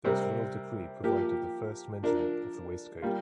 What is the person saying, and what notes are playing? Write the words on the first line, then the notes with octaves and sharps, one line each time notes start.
This royal decree provided the first mention of the waistcoat.
C3 G3 C4 A#4
F3 A#3 G4
F3 D4 A#4
G3 A#3 F4